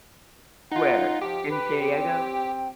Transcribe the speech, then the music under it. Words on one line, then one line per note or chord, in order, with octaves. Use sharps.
Where? In San Diego?
D#4 F4 F#5
F3 G4
B4
C4 G5